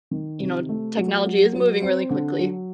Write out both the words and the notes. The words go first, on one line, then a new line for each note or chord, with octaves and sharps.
you know, technology is moving really quickly.
D#3
C3
A3
F#3
F#3
F#3
C4
D3
F#3